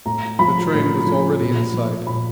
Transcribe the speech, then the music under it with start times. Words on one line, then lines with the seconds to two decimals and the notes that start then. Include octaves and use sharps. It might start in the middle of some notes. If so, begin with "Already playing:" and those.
The train was already in sight.
0.05 A2 A#5
0.39 F3 B5
0.74 A2
1.07 F3
1.40 A#2
1.74 F3
2.07 A#2 B5